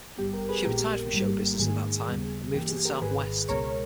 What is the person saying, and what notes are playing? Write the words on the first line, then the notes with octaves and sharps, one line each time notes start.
She retired from show business at that time and moved to the Southwest.
G#1 G2 G3 B3 G4
G4 A#4
G#4 B4
A#1 A#2 G#3 B3 G4 A#4
G#1 G2 G3 A#3
G#2 D#3 A#3 G#4
D#2 C#3 G3 B3
G1 G2 E3 A#3 G4
G#4
G4 A#4
G#1 G#2 D#3 G#4 B4
C#2 B2 G#3 A#4 C#5